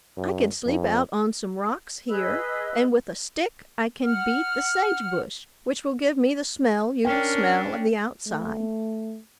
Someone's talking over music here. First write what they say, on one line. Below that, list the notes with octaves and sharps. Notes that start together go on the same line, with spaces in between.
I can sleep out on some rocks here and with a stick I can beat the sage-bush, which will give me the smell you will smell of the outside.
F#2
F2
G#4 B4 D#5 E6
F#5 F6
C#4 D4 A#4 G5
A3